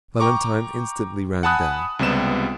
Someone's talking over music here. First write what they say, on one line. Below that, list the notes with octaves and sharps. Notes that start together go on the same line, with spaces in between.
Valentine instantly ran down.
G5 A#5 C#6 D6
F#5 G#5 A5 B5 D#6 F#6
C#2 C3 G3 B3 E7